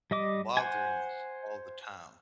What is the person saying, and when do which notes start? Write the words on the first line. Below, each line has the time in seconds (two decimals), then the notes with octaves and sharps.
bothering us all the time
0.11 G3 D#5 D6
0.57 C5 F#5 G#5